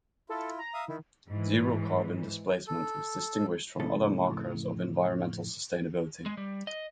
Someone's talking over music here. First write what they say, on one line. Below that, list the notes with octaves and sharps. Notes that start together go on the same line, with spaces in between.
Zero Carbon Displacement is distinguished from other markers of environmental sustainability.
E4 F4 A4
A#5
E5 F5 D#6
D#3 E4
G#2 E3
A4
F2 A2 C#3 A4
G#3
G3
D#5